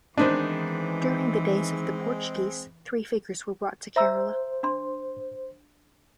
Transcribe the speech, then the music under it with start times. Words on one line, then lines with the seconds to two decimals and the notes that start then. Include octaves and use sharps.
During the days of the Portuguese, three figures were brought to Kerala.
0.18 D#3 E3 G#3 B3 C4 D4 D#4 C5
3.96 C5 E5 A#5 E6
4.63 D4 C6